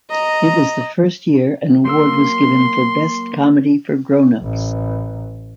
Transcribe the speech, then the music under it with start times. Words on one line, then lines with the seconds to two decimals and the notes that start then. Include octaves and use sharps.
It was the first year an award was given for Best Comedy for Grownups.
0.10 D#5 A#5
1.85 F#3 A#3 C6 E6
4.42 A1